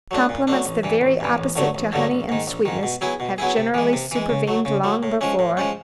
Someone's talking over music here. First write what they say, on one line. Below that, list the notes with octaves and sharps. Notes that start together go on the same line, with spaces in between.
Compliments the very opposite to honey and sweetness have generally supervened long before.
F#3 A3 D4
A#2
F#3 A3 D4
A1
G2 E3
A1
G2 E3
A1
G2 D3 F#3 A3
A1
G2 D3 F#3 A3
A#1
G#2 D#3
A#1
G#2 D#3
B2
F#3 B3 E4 G#4
B2
F#3 B3 E4 G#4
C3
E3 G#3
C3
E3 G#3
C#3
F#3 A3
C#3
F#3 A3
A2
F3 G#3 C#4
A2
F3 G#3 C#4